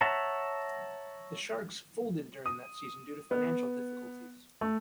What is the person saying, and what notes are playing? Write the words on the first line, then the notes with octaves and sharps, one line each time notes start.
The Sharks folded during that season due to financial difficulties.
C#5 E5 F#5 A5 A#5
D#6
B3
A3